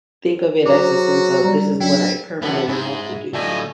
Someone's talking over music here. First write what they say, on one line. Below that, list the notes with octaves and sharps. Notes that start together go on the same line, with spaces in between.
think of it as a sense of, “This is what I permanently have to do,”
F#3 F#4 G#4 C5 A#5 D6
G3 A#5
F#3 D4 E4 G5
F#2 D3 E3 B3
G#2 G#3 E4
A2 D3 G3 A3 F4 D#5 G#5